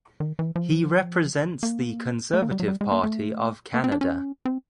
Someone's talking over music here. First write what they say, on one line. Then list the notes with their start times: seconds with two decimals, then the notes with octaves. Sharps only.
He represents the Conservative Party of Canada.
0.20 D#3
0.39 E3
0.56 F3
1.63 A#3
2.33 A3
2.42 A#3
2.51 G3
2.60 F#3
2.68 G3
2.81 G#3
2.92 A#3
3.04 A3
3.74 A#3
3.84 C4
3.92 D4
4.01 C#4
4.45 C4